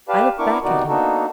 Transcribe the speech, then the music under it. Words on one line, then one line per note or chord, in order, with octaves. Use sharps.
I looked back at him.
G4 B4 D5 F5 A5
B3 D4 E4 A#4 C#6 D6
C3 D#3 B3 D#4 F#4 D5
A#3 B3 D4 D#4 F#4 A4